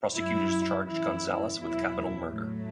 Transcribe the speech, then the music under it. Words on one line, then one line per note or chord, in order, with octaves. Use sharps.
Prosecutors charged Gonzales with capital murder.
F#2 F#3 E4
F#2 E3 E4
E2 B2 F#3 E4
A2 F#3 A3